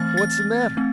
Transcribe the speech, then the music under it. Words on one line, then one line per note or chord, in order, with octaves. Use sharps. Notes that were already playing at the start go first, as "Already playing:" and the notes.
"What's the matter?"
Already playing: E3 A3 C4 F6 A6
A6
A3 C4